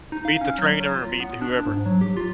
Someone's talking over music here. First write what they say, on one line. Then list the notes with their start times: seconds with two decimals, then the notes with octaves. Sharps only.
Meet the trainer or meet whoever.
0.12 D#4
0.25 F5
0.41 C#4
0.58 F#3
0.81 F#3
0.94 F4
1.20 B3
1.41 D4
1.66 G#2
1.86 F#3
2.01 G4
2.17 F4